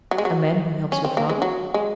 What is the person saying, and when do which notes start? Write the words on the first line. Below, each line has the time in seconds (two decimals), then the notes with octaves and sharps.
"A man who helps your father?"
0.11 F#3
0.18 G#3
0.25 F#3
0.92 C#4
1.05 C4
1.17 A#3
1.30 G#3
1.42 F#3
1.74 G#3